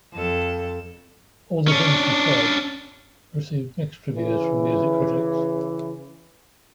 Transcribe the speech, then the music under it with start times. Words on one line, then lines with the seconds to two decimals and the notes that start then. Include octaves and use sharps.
"All the Things She Said" received mixed reviews from music critics.
0.14 F2 A4
1.68 C#4 D4
4.15 C#3 E3